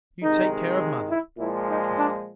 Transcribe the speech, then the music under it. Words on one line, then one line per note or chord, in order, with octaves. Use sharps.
"You take care of Mother." I kissed her.
C3 D#3 G#3 D#4
E4
A#2 F3 G#3 E4
D#4
D4